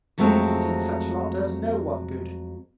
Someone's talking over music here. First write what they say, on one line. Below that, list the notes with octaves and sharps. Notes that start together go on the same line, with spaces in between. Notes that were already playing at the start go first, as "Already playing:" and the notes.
Eating such a lot does no one good.
F2 F#3 G#3 A3 C4 A5